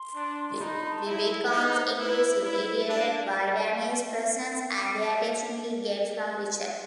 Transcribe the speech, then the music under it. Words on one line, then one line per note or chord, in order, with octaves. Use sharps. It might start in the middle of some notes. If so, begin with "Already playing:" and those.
She becomes increasingly irritated by Danny's presence and the attention he gets from Richard.
Already playing: C6
D4
D#4 B5
B5
A5
E4 E5
A#4
D#4 B4
C5
A#4
E4 B4
A#4
E4 B4
C5
B4
B4
D4